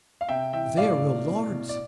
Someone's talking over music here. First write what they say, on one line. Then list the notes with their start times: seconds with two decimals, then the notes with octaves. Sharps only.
There were lords!
0.21 F5
0.29 C3 E5 G5
0.53 E3 E5 G5
0.77 A2 D5 F5
1.02 A2
1.26 B2
1.50 B2
1.69 D5